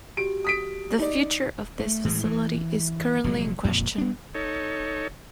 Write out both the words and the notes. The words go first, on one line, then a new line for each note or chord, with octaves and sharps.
The future of this facility is currently in question.
F#4 G4 D7
D#6 B6 D7
D#4 D5
A3
A2 E3 G#3
E3
F1 A#2 F#3 G#3
F2 A#2
B3 D4
D#4 A4 C#5